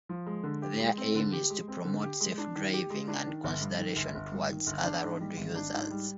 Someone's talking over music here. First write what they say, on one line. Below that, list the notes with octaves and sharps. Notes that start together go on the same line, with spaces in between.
Their aim is to promote safe driving and consideration towards other road users.
F3
G#3
D3
G4
G#3
C4
D3
G4
G#3
C4
D3
G4
G#3
D4
D#3
G4
G#3
D4
D#3
G1
G2
D#3
G1
G1
G2
D#3
G1
D4
G#2
G3
G#1
D4
G#2
G3